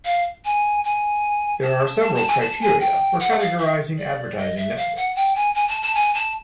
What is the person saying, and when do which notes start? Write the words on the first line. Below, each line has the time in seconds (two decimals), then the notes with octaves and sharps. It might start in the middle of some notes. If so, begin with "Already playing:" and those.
There are several criteria for categorizing advertising networks.
0.05 F5
0.45 G#5
0.84 G#5
1.62 A5
2.02 A5
2.15 A5
2.28 G#5
2.41 A5
2.61 G#5
2.80 G5
3.20 F#5
3.39 F5
3.58 E5
3.98 D5
4.37 D#5
4.57 E5
4.77 F5
4.96 F#5
5.16 G5
5.35 G#5
5.55 G#5
5.68 A5
5.82 A5
5.95 G#5
6.14 A5